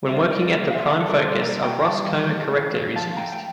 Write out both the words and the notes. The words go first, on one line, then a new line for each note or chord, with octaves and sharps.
When working at the prime focus, a Ross coma corrector is used.
G3 C5 E5
G3 A#4 D5
A#2
F5
A#2 C5 E5
G3 A4
A#4
G3 A4 C5
A#2 A#4 D5
A#2 G5 A#5
G3 F5 A5
E3
A3
A2
A2
F3 F5 A5
A3 G5 A#5
G5